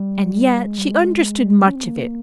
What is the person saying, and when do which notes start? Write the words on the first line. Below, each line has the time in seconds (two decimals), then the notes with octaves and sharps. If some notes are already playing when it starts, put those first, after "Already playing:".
And yet she understood much of it.
Already playing: G3
0.66 G#3
0.78 G3
0.92 G#3
1.67 C#4
1.75 C4
1.84 A#3